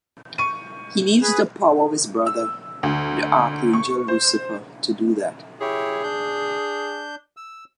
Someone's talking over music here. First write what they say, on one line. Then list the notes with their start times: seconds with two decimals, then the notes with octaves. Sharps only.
He needs the power of his brother, the Archangel Lucifer to do that.
0.38 C#6 D#7
1.22 G#4 B4
2.26 E6
2.83 D2
3.73 C#6
4.08 C5
5.61 E4 G4 G#4 C#5
6.04 D4 G6
7.37 E6